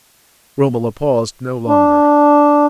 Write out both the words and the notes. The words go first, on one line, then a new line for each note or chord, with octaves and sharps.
Romola paused no longer.
D4